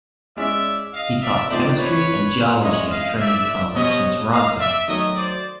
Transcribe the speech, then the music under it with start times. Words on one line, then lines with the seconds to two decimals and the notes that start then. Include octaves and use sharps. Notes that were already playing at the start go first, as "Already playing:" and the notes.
He taught chemistry and geology at Trinity College in Toronto.
0.37 G#3 C#4 E4 G#4 D5 E5
0.93 D#5 F5
1.21 D5 E5
1.50 C3 F3 A3 C4 D#4 C5 D5
1.77 B4 C#5
2.62 G#3 C#4 E4 C#5 D#5
2.90 D#5 F5
3.18 D5 E5
3.74 B2 G3 C4 C#5 D#5
4.31 D#5 F5
4.59 D5 E5
4.87 D#3 F#3 A3 C#5 D#5
5.15 C5 D5